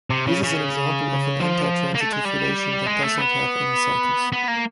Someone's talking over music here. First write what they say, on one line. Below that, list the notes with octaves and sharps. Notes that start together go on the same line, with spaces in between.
This is an example of an antitransitive relation that does not have any cycles.
C3
C#3
C#3
F3
A#3
A3
G#3
G3
G#3
A3
B3
B3
A#3